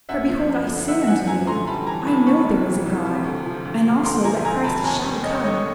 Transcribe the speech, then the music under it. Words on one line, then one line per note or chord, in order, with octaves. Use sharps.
For behold, I say unto you, I know there is a God, and also that Christ shall come.
F#2 E5 F#5
F3
F#2
D3
F#2 E5 F#5
F3 F#5 G#5
F#2 G#5 A#5
D3 A#5 C6
G3 A5 B5
E3 G#5 A#5
C2 A5 B5
C3 B5 C#6
G3
E3
C2
C3
D2
F3
D2
C3
D2 A#5 C6
F3 G#5 A#5
D2 G#5 A#5
C3 A5 B5
D#2 G#5 A#5
G3
D#2 C#5 D#5
D3 C#5 D#5